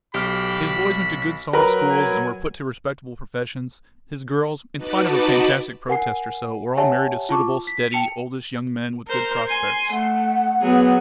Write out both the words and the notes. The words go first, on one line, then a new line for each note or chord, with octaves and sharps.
His boys went to good solid schools, and were put to respectable professions; his girls, in spite of a fantastic protest or so, were all married to suitable, steady, oldish young men with good prospects.
B1 G4 B5 F6
F#3 A#4 B4 B5
G#5
D#4 F#4 B4 A5 B5 D6
A#4 F#5 G#5 C7
G4 C#5 E5 F#5 G#5 A5
F4 A5 C#6 D6
B6
G5 A5 C#7 F7
A#4 C5
G#5 C6
A3 F#5
F#3 B3 G#4